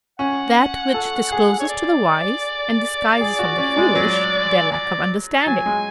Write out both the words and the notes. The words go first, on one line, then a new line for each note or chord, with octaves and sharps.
That which discloses to the wise and disguises from the foolish their lack of understanding.
C#4 F#5
A4
G#4
C#5
D5
G#4
F#4
C#4
G#3
F#3
D5
A5
F#3 G#5
G#3